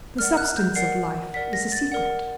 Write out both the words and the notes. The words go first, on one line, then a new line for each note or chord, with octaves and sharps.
The substance of life is a secret.
A#4 D5 F#5 F6
F#6
G6
A#4 D5 F#5 C7
A#4 D5 F#5 B6
A#6
A6
A#4 D5 F#5